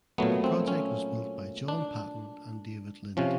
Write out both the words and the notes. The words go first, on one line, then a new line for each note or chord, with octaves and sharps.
The project was built by John Paton and David Lind.
A#2 F#3 A3 B3
C4
C#4
D4
C3 F3 C#4